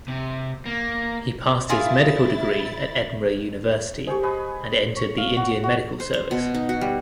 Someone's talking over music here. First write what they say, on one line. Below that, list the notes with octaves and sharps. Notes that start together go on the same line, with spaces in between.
He passed his medical degree at Edinburgh University and entered the Indian Medical Service.
C3
A#3
A#3 E4 F4 G#4 E5 F5 A6
G4 G#4 C5 G5 C#6
G#4 B4 D#5
C#5
F5
F#4
F#4
C5
C5
B2
D#4
F#4
G3